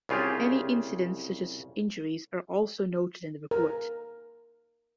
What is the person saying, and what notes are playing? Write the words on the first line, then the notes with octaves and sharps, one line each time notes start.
Any incidents such as injuries are also noted in the report.
C2 C#3 F4 G4 G#4
A#4